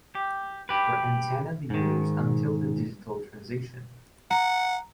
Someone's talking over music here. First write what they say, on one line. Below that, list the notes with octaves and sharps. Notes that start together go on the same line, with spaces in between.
For antenna viewers, until the digital transition.
G4
G4 B4
G#2 D#3
F#5 A#5